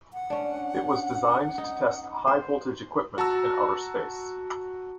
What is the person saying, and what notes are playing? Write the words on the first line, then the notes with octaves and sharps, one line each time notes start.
It was designed to test high-voltage equipment in outer space.
F#5
C#4 D4
D#4
C5
F#4 A5 A#5 E6